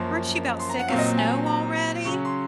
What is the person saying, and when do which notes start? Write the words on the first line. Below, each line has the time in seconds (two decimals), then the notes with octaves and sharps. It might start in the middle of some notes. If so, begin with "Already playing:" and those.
aren't you 'bout sick of snow already?
Already playing: F#2 F3 A#3 C#4 C6
0.59 C6
0.69 A#5
0.79 F#5
0.88 A#2 F#3 C4 F5
0.99 D#5
1.18 G#5
1.46 A#5
2.05 C#3 F#3 C#4 C#6
2.25 C6